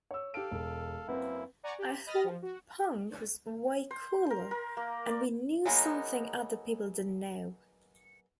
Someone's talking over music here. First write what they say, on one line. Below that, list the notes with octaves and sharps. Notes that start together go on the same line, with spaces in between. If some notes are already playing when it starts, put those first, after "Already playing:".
I thought punk was way cooler and we knew something other people didn't know.
C#5 E6
G4 A4 F5 D7
E1
F#2 A#3 C4 E4 B4 F#5
D5 F#5 G#5 A#5 C#6
G4
D#5 B5 D#6 F6 A6 A#6
F3
F#4
C5
A#4
A#4
A#3
D5
F#3 G#3 A#3 B3 D#4